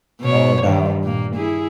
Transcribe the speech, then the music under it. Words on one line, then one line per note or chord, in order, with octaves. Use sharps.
all about
B2 C#5
G2 D#3
A#2 A#3
E4 G#4